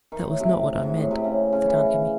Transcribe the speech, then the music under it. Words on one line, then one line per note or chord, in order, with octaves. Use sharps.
"That was not what I meant," said Aunt Emmy.
D#3
A2
C3
G#2
A2
C3
C#3
C#3
E3